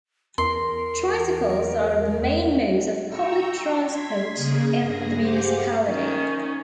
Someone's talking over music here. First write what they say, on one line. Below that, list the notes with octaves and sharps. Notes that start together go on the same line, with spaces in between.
Tricycles are the main modes of public transport in the municipality.
E2 A#4 C6
G5 A#5 C#6 E6
C6 G#6 B6
C#3 A#3 G#4
G2 G#4 A#6
G4 G#4 C5 F5 F#5 D6
D#3 C#4